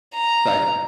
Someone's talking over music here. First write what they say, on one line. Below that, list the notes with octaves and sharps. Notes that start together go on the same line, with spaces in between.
Sorry, go ah
A#5